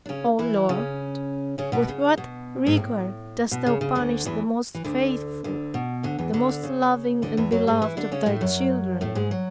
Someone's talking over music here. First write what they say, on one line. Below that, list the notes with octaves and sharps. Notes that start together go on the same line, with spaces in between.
O Lord! with what rigor, dost Thou punish the most faithful, the most loving and beloved of Thy children.
D4
C#3 C#4
E3 E4
C#3 C#4
C#3 C#4
B2 B3
C#3
B2
G#2
A2
B2
C#3
C#3
D2 D3
E2 E3
E3
D2 D3
D2 D3
B2
D2 D3
E2 E3
D2 D3
C#3
D2 D3
E2 E3
F#2 F#3
G#2 G#3
E3 E4
D3 D4
C#3 C#4
A2 A3
F#2 F#3
A2 A3
G#2 G#3
F#3